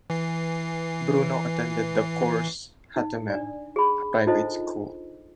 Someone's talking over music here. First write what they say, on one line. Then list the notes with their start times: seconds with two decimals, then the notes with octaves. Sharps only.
Bruno attended the Cours Hattemer, a private school.
0.10 E3 C7
2.96 D#4
3.30 D4 D5
3.76 G#4 B5
4.27 D4 D#4 F4 A4 C5 D#5